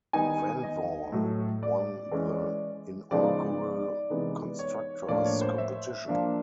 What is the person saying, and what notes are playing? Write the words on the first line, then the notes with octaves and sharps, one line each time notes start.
Vanwall won the inaugural Constructors' competition.
D#3 G3 B3 D#4 G#5
D#5
A2 F#3 A3
D5
E3 G#3 C#4
C#3 F3 G#3 B3 D#4 D5
C3 E3 G#3 B3 D#4
C#5
A2 F3 A#3 D4 D5
C#5
C5
E5
F3 A#3 D4